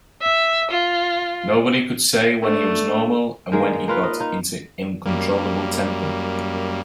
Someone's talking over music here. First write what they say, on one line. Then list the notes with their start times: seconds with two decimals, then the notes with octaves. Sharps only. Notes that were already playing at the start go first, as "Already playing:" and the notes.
Nobody could say when he was normal and when he got into uncontrollable temper.
0.22 E5
0.71 F4
2.42 A3 D4
3.52 D#3 G#3 A#3
3.88 A#3 F4 B4
4.03 D#5
4.20 D#4 F4
5.06 F#2 G3 A#3